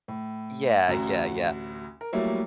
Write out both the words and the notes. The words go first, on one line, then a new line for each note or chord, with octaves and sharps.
Yeah, yeah, yeah.
A2
A1 D2 F#4 A#5
A#4
F#3 G3 A3 A#3 E4 C#5